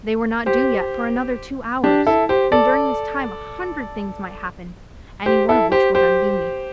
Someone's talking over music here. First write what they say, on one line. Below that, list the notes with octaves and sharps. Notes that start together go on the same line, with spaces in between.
They were not due yet for another two hours, and during this time a hundred things might happen, any one of which would undo me.
G4 C5
D4 G4
E4 A4
G4 C5
A4 D5
G4 C5
E4 A4
G4 C5
G4 C5